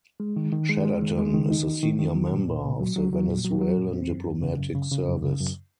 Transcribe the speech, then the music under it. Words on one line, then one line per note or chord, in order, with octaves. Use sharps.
Chaderton is a senior member of the Venezuelan Diplomatic Service.
G#3
D#3
D#3
G#3
G#3
D#3
G#3
D#3
D#4
D#3
D#3
D#3
F#3
A#2
A#2
A#2
F#3
F#3
F#3
A#2
F#3
F#3
A#2
C4
F#2
F#2
C#3
F#2
C#3
C#3
F#2
C#3
F#2